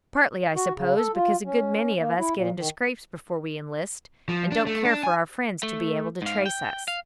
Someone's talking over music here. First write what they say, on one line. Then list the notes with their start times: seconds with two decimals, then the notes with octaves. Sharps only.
"Partly, I suppose, because a good many of us get into scrapes before we enlist, and don't care for our friends to be able to trace us."
0.56 F#4
0.76 C#3
0.96 A4
1.15 F4
1.46 C#4
1.99 A#3
2.19 E4
2.36 A#2
2.58 D#3
4.29 F3
4.52 D4
4.67 A3
4.85 D4
5.03 G#5
5.63 A3
6.22 G#2 F5
6.46 G5
6.88 F5